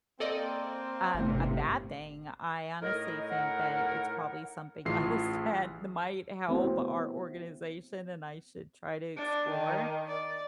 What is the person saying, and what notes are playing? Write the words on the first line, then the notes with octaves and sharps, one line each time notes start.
um, a bad thing. I honestly think that it's probably something else that might help our organization and I should try to explore.
A#3 C4 A4 D5 D#5
G1 A2 C3
A2 D#4 A#4 D#5
F#5
A1 E3 F4 G#4 C7
A3 B3 C4 E4 F#4
D4
D#3
D5